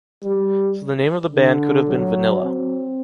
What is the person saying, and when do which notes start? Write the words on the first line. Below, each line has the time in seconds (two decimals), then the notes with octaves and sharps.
So the name of the band could have been Vanilla.
0.22 G3
1.33 D3
1.88 F#3
2.44 C4